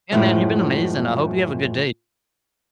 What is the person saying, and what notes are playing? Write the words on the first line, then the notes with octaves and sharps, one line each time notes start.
Yeah, man, you've been amazing, I hope you have a good day.
F#2 A2 F3 G#3 E4